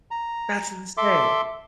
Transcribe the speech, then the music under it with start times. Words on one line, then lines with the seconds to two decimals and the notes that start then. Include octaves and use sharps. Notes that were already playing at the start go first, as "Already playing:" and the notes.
That's insane.
0.11 A#5
0.97 A4 E5 C6 D6